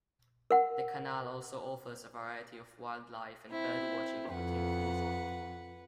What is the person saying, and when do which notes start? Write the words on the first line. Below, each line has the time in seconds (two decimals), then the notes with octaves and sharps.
The Canal also offers a variety of wildlife and birdwatching opportunities.
0.51 A#4 F#5
3.50 C4 E4
4.31 F2 B4 F#5